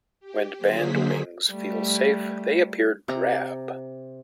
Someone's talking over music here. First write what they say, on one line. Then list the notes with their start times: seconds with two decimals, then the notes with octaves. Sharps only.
When bandwings feel safe, they appear drab.
0.20 G4
0.56 D3 F#3 A#3 G#4 C5 B6
1.50 G3 A3
3.08 C3 A#5